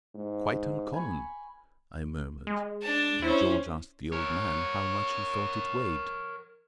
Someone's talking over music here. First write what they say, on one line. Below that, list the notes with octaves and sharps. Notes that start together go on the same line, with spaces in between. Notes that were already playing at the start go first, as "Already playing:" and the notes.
"Quite uncommon," I murmured; and George asked the old man how much he thought it weighed.
G#2
G#5 B5 C#6
G#3
D4 A5
C#4 E4 C5
A#4 C#5